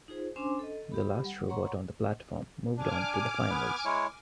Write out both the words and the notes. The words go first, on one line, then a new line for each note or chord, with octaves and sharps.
The last robot on the platform moved on to the finals.
D#4 F4 G#4 C5
C#4 D4 C5 G#5 C6 D6
A4 D#5
G4 B5
G3 F#5
C#5 F#5 A#5 C6 C#6
D4 G#5 D6 F6
B3 B4
G#3 E4 C#5